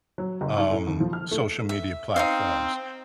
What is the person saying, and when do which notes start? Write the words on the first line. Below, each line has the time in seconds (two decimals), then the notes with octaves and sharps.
um, social media platforms.
0.18 F#3
0.41 F#1
0.58 G#2
0.70 A2
0.87 D#2
1.00 F3
1.13 F6
1.31 A3
1.69 E5
2.16 C4 D#4 F4 F5